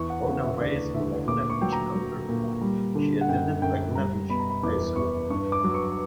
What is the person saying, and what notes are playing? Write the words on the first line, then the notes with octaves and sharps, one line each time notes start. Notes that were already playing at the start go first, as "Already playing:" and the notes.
Born and raised in Laguna Beach, California, she attended Laguna Beach High School.
Already playing: E2 E3 C#6
F#5
C#3 F#5
E5
D2 D5
D2 E5
A#2 D6
C#6
F#3 G5
A#5
F#3
A#2
G3
D3
F#5
F#2 G5
F#2 G5
G3 A#5
B2 B5
A#5
B5
E2 D6
E2 C#6
G2 C#6
D6
F#3
C#6